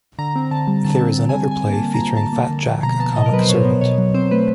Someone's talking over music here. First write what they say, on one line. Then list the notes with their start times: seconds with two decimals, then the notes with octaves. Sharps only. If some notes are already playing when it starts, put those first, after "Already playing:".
There is another play featuring Fat Jack, a comic servant.
0.19 D3 A#5
0.36 C4
0.51 D3 A5
0.68 G3
0.84 D3 A5
1.01 C4
1.18 D3
1.29 G#5
1.35 G3
1.50 D3 G#5
1.67 A#3
1.72 A5
1.84 D3
1.94 A#5
2.01 F3
2.17 D3 A5
2.33 A#3
2.50 D3
2.67 F3
2.83 B2 A#5
3.00 B3 A5
3.16 B2 D#5
3.26 A#4
3.32 F#3 B4
3.41 C5
3.49 B2 C#5
3.65 B3
3.81 B2 C#5
3.98 F#3
4.14 C4 C5
4.31 A3 B4